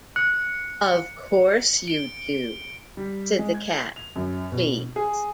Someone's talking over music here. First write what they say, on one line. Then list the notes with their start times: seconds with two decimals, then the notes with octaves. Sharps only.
"Of course you do,"said the Cat, pleased.
0.16 F#6 C#7
1.88 D7 G7
2.97 G3
3.39 G#3
3.54 G#6
3.96 F7
4.16 F#2
4.52 B2
4.96 G#4